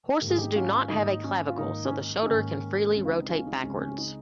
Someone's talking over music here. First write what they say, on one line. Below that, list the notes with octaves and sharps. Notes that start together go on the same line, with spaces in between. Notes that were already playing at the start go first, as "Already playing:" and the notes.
Horses do not have a clavicle, so the shoulder can freely rotate backwards.
G#2 D#3 A#3 G4
G#4
D#4 G4
C#4 F4
G#2 D#3 A#3 D#4
C#4
F4
G#2 D#3 A#3 D#4
C#4
D#4
D#4
G#2 D#3 A#3 C#4
C#2 C#3 G#3 C4
F4
D#4
C#4 F4
D#4
C#2 C#3 G#3 C4 C#4
C#4
C#4
D#4